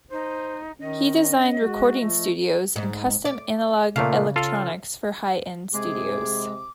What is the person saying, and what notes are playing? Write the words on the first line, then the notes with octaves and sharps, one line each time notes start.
He designed recording studios and custom analog electronics for high end studios.
D#4 C5
D#3 C#4 D#5
G#3 F#4
F3 A3
G#2
D5
A#2 C#3 A3 F5
F4 A4 F5
C3 G#3 G#4 D6